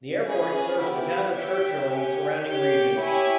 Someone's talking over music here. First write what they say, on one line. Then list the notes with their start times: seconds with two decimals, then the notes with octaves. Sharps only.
The airport serves the town of Churchill and the surrounding region.
0.24 C#4 G#4 B4
0.79 B3 E4 G4
1.34 G4 C#5 E5 G5
1.89 G4 C#5 G#5
2.44 G4 C#5 G5
2.98 E4 G4 C#5 G#5